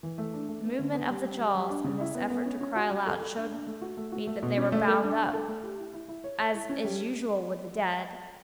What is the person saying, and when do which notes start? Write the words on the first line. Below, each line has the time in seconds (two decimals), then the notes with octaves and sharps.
The movement of the jaws, in this effort to cry aloud, showed me that they were bound up, as is usual with the dead.
0.03 E3
0.18 A3
0.33 D4
0.49 A3
0.64 B3
0.79 D3
0.94 B3
1.10 G3
1.24 G3
1.40 G3
1.55 G3
1.69 D4
1.84 C#3
2.00 E4
2.15 B3
2.30 B3
2.45 C#4
2.61 C#4
2.76 F#4
2.91 G3
3.06 A4
3.20 A4
3.36 D4
3.52 D4
3.67 A3
3.81 F#4
3.97 A3
4.12 F#4
4.27 A3
4.42 B2
4.57 C#4
4.72 A3
4.87 A4
5.03 D4
5.18 D4
5.33 A4
5.48 A3
5.64 G4
5.78 E4
5.94 E4
6.08 E4
6.24 C#5
6.39 C#5
6.54 E4
6.69 C#4
6.85 G3